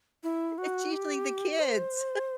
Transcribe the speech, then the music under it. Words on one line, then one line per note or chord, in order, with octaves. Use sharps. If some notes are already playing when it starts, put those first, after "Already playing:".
It's usually the kids.
E4
F#4
G4
C5